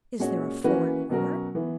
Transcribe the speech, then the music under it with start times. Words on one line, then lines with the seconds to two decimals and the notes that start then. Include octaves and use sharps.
Is there a foreign war?
0.19 A#2 G#3 C#4 F#4 C#5
0.64 E3 A#3 C#4 F#4 B4
1.09 B2 F#3 C#4 F#4 A#4
1.55 E3 B3